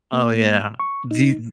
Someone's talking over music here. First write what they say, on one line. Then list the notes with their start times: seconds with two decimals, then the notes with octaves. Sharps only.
Oh, yeah, di
0.13 A#3
0.80 C#6
1.11 D#4